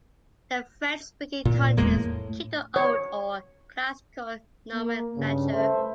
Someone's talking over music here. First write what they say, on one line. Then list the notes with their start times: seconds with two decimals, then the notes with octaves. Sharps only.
The French-speaking countries keep the old or classical nomenclature.
1.45 A#2
1.77 D#1 E2 G#3 A#3
1.96 A2
2.76 C#5
4.73 A#3
5.16 G2 C#3
5.53 A3 B4 C5 E5